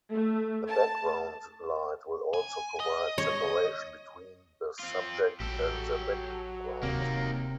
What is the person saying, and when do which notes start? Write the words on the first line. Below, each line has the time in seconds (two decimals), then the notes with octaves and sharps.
The background light will also provide separation between the subject and the background.
0.12 A3
0.70 A5
2.34 G#5
2.80 D#5
3.18 C#5
4.80 C4 F4
5.40 A1 F#3 G4 A4
6.83 D1 C3 A#3 D#4